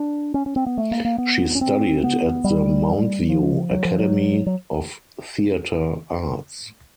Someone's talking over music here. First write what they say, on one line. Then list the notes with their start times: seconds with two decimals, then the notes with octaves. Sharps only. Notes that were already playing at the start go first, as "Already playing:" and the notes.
She studied at the Mountview Academy of Theatre Arts.
Already playing: D4
0.34 C#4
0.46 C#4
0.56 C4
0.66 B3
0.77 A3
0.92 A#3
1.05 A#3
1.18 B3
1.55 C#4
1.61 C4
2.04 B3
2.44 G3
3.29 F3
3.71 F#3
3.85 F3
3.99 F#3
4.47 F#3